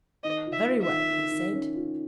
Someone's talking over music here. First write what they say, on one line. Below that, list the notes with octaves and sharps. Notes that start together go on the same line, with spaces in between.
'Very well,' he said.
D#3 D#5
F4
E5
F4
E5
D#3
D#3
D#3
C#4
F4